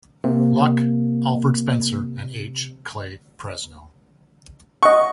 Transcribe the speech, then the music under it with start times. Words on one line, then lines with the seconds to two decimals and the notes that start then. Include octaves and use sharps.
Luck, Alfred Spencer and H. Clay Presnell.
0.24 C3 A#3
4.83 D#5 F#5 C#6